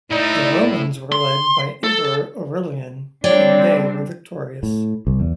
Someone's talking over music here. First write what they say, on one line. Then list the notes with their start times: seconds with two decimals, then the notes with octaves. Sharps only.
The Romans were led by Emperor Aurelian, and they were victorious.
0.11 A2 D#4 E4 D5
1.12 C6
1.84 A4
3.24 G3 C4 D4 C#5 D5 G5
4.63 A2
5.07 C2
5.20 E2